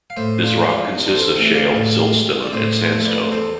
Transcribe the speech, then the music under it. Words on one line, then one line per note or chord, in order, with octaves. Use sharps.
This rock consists of shale, siltstone, and sandstone.
F5
A2 C5 E5
D4 F4
F3 G#3
D4 F4
E2
D5
A4 C5
C3 E3 A3
D5 F5
A2
G#3
D5
A2 C5 E5
C5 E5
F3 A3
E5
B4 D5
E2 A4 C5